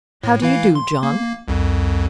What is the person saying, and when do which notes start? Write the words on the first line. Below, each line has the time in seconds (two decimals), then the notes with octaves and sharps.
"How do you do, John?"
0.24 A2
0.42 E3 E4 F5
0.75 C6
1.03 A#3
1.48 C2 F2